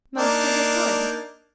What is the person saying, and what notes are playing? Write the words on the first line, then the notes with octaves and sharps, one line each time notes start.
"Most of us would."
A#3 D4 D#4